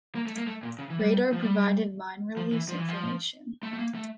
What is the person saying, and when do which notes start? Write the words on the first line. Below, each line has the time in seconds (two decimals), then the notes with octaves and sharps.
Radar provided mine release information.
0.15 A#3
0.27 A3
0.37 A#3
0.47 A3
0.63 A#2
0.79 C#3
0.90 E3
1.00 G3
1.33 F3
1.42 G3
2.37 F3
2.53 E3
2.69 F3
2.78 E3
2.88 F3
3.63 A3
3.73 A3
3.79 A#3
3.95 A3